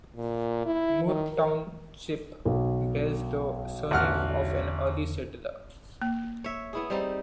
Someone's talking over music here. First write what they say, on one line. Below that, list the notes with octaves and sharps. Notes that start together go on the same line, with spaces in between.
Moore Township bears the surname of an early settler.
A#2
E4
D#3
A#4
B1
A1 E2 D3 F#5 F6
A#3
C#5 E5
B3 E4 G#4
G3 C4 D#4